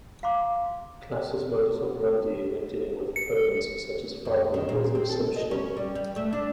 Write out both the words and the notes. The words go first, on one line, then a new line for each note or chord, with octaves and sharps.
Klass's modus operandi when dealing with opponents such as Friedman was exceptional.
F5 A#5 C6 D6
C#7
F#2
D#3
A#2
C4
A4
D#5
C#4
G3
G3
A3
D4